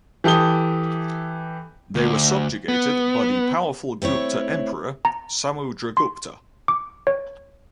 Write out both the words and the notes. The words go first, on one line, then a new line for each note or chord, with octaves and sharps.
They were subjugated by the powerful Gupta emperor Samudragupta.
E3 G4 A4 D#6 G7
D2
B3
A3 C4 E4 C#5
A#5
C6
D6
C#5